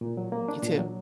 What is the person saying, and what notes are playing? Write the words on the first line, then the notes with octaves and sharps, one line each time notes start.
You too.
A#2
F#3
A#3
D4
A#2
F#3